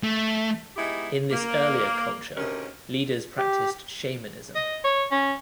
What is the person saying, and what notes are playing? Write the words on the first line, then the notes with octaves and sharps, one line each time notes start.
In this earlier culture, leaders practiced shamanism.
A3
G#3 B3 D#4 E4 G4
A#3
D2 C3 D#3 C#4 A#4
G4
D#5
C#5
C#4